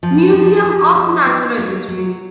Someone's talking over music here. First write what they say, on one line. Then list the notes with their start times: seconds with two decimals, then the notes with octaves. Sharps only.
Museum of Natural History.
0.03 F3
0.33 F3
0.64 F3
0.95 D#4
1.26 B3
1.58 F#3
1.88 F#3